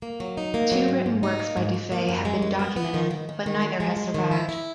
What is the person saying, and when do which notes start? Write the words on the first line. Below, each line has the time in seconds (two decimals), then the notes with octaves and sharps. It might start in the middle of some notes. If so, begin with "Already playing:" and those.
Two written works by Du Fay have been documented, but neither has survived.
0.02 A#3
0.20 F#3
0.37 D#4
0.54 A#3
0.72 F#3
0.88 G#2
1.06 G#2
1.23 D#4
1.39 A#3
1.57 G#2
1.74 G#2
1.92 A#3
2.09 F#2
2.25 G#3
2.42 F#2
2.59 B3
2.76 B3
2.94 D#3
3.11 D#3
3.29 D#3
3.46 D#3
3.62 F#2
3.80 G#3
3.97 G#3
4.14 D#3
4.31 E4
4.49 E4